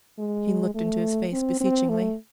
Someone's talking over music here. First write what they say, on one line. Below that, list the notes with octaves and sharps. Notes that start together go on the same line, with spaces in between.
He looked into his face beseechingly.
G#3
A3
C4
C4
A3